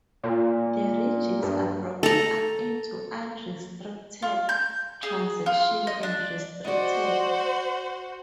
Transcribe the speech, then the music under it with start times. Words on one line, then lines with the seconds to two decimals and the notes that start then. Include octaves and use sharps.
The regions are broken up into unrestricted, transition, and restricted.
0.23 A#2
1.42 G2
2.03 A4 A#5
4.22 F4
4.49 G6
5.03 G#4
5.46 F4
5.87 D#5
6.03 D4
6.64 F#4 C5 D5 D#5